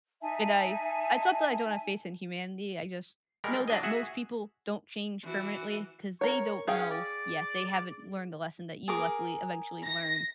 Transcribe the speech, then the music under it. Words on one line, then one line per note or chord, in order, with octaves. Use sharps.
And I I thought that I don't have faith in humanity; I just know that most people don't change permanently 'cause they don't know yet, they haven't learned the lesson that you luckily eventually learned
D#4 E5 G#5 A5
G3 G#3 A#4
F#3 D4 D#5
F#4 G#4 E5 F#5
E3 F#4
A#4 C#5 C#6
C#4 G#4 F5 G5
D5
G#4 A#4 D6
A#6